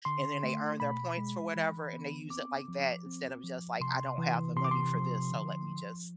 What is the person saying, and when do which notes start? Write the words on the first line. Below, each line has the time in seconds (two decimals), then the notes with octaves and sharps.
and then they earn their points for whatever and they use it like that instead of just, like, "I don't have the money for this, so let me just,
0.05 D3 C6
0.43 A3
0.80 B2 B5
1.17 G#3
1.56 E3
1.93 B3
2.30 C4 D6
2.68 F3
3.06 C4
3.44 F3
3.80 C3 C6
4.18 E3
4.56 C3 C6
4.65 D6
4.71 C6
4.94 F3
5.32 D3
5.68 F3